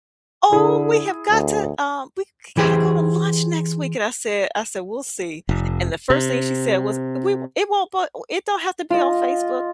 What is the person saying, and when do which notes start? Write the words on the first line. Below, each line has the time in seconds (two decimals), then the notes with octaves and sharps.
"Oh, we have got to, um, we g gotta go to lunch next week." And I said I said, "We'll see." And the first thing she said was, "We won't it won't, but it don't have to be on Facebook."
0.52 D3 E4 G#4
1.30 D2
2.57 E3 G4 G#4 C5
5.49 F1
6.10 C3
8.90 F4 D#5